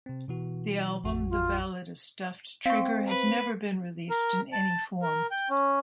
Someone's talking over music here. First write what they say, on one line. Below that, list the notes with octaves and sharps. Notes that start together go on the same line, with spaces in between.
The album "The Ballad of Stuffed Trigger" has never been released in any form.
C3 C4
B2 E3 F#4
A1 F2 F#4
F4
C4 F5 C#6
B4
A#4
A5
A#4
G5
C#4